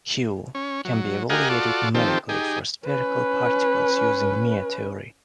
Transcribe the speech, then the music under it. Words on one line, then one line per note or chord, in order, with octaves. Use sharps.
"Q" can be evaluated numerically for spherical particles using Mie theory.
C#4
F#3
G4 A#4 D#5 F5 F#5 G#5
F4 F#4 A4 D5
D#3 F3 C4 G4 A4
D#4 G4 G#4
C#4 B4